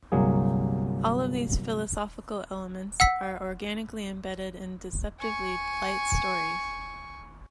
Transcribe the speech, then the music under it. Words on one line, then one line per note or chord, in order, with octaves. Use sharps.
All of these philosophical elements are organically embedded in deceptively 'light' stories.
G1 C2 F#3 A#3 G#4
F#5 E6 B6
G#5 C#6